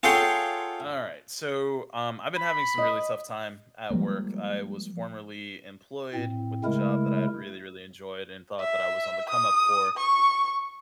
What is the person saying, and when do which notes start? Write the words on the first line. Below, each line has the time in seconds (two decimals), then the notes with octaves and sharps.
Alright. So, um, I've been having some really tough time at work. I was formerly employed with the job that I had really, really enjoyed, and thought that I was on the come-up for
0.03 F4 G#4 A4 C#5 F#5 G5
2.36 B5
2.78 D#5
3.90 F3 G3 G#3 A#3
6.14 A2 C4
6.64 C#3 G#3 A3 E4 A#4
8.60 E5
9.29 D#6
9.97 C#6